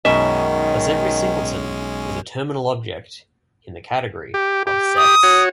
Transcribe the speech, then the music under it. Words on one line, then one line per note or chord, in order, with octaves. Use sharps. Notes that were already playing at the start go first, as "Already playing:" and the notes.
Thus every singleton is a terminal object in the category of sets.
B1 F#2 B2 D#3 G#3 C#4 D#5 E5
G4
G4
D#6
F#4 C#5